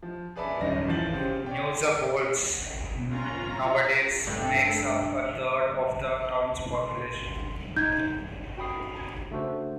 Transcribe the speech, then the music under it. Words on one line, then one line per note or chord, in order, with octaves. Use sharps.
Neugablonz nowadays makes up a third of the town's population.
F3
G#4 B4 D5 E5 A5 B5
D#1 F#2 C#4 D#4 A#6
A1 E3 F3 G6 A6 F#7
C#3 G4 C5
C#5 D5 G5
C#4 F4 A#5
G2 A3 C4 A4
C6
D#4 G6 G#6
F#4 G5 B5 D#6 C7
C#3 A3 D4 F#4 A4 C5